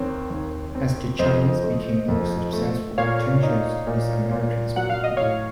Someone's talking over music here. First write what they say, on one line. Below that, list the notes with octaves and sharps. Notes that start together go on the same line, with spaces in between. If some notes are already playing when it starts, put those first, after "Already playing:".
As the Chinese became more successful, tensions with Americans grew.
Already playing: D#2 C4 A#4 C#5
D#2
C4
F2 C5 D#5
A3
F2
A3
A#2 C#5 F5
D#4
A#2
A#2
F#3 F#5
F5
D#5
A2 C#5 F5